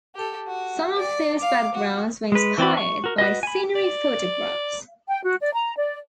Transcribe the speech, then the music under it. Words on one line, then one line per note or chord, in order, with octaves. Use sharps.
Some of those backgrounds were inspired by scenery photographs.
G4 A4
F#4
D5
F5 D6
F#4
G#3 B4
E3 C4 D5 B5
C#6
F#4 A#4
F#4 B4 D#5
G#5 B5
D5
G5
F#4
D5
A#5
D5